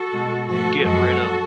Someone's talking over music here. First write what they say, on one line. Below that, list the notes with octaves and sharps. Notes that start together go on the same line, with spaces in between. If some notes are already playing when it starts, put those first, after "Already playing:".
get rid of
Already playing: F#4 A4
B2 G#3
G#2 F3 A3 F#4 A4
F#2 F3 G#3 F#4 A4